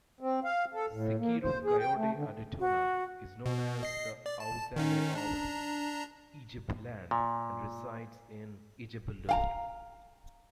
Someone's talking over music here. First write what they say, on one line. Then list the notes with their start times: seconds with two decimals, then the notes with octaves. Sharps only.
Sikiru Kayode Adetona, is known as the Awujale of Ijebuland and resides in Ijebu-Ode.
0.21 C4
0.44 F5
0.74 A4
0.92 A2
1.19 A#3
1.43 C5
1.64 G#4
1.79 G5
1.96 A3
2.15 D3
2.60 F#4
3.46 B2
3.83 D#5 C7
4.26 D5
4.40 A5
4.76 D#3 C#4 D#4
5.15 D4 A#5
7.11 A#2
9.29 F5 G5 A#5